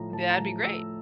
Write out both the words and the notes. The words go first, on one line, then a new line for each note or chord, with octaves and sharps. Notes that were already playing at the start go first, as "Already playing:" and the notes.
That'd be great.
Already playing: A2 F3 A#5
A2 A5
A#5
F3
A2 E6